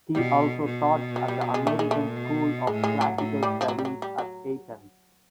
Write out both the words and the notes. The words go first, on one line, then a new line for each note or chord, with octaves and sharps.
He also taught at the American School of Classical Studies at Athens.
B2 G3
B2
F#3
G3
F#3
G#3
A#2 A3
G#3
A3
B2
A2 G#3
G#3
F#3
A2 F#3
G3
F3
F#3
G3
F#3
G3
F#3